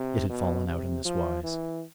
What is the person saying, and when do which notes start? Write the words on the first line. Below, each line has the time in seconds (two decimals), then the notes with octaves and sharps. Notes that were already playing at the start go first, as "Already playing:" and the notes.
It had fallen out in this wise.
Already playing: C3
0.29 B2
0.67 C3
1.05 F3
1.44 E3